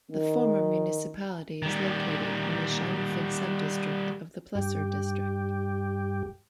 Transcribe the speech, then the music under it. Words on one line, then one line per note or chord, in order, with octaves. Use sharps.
The former municipality is located in the Schanfigg sub-district of the Plessur district.
D#3
D#3 G3
G2 G4